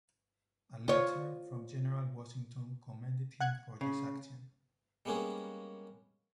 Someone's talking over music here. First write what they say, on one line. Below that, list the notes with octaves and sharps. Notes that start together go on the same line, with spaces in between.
A letter from General Washington commended him for this action.
F4 C#5
F#5 F#6 G#6
C#3
G3 G#3 A#3 B3 C#4 G#4